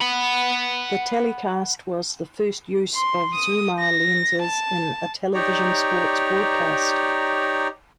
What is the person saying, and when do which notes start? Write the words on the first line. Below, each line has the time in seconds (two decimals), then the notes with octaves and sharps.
The telecast was the first use of Zoomar lenses in a television sports broadcast.
0.01 F#5 B5
2.94 C6
3.34 D#6
3.79 A#6
4.42 A5
5.34 D#4 G4 C#5 D5 A#5